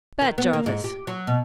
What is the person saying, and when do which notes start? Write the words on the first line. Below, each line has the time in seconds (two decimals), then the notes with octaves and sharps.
Bat Jarvis.
0.21 D#3
0.38 B3
0.53 A#3
0.66 G#2
0.84 G4
1.07 F#3
1.27 B2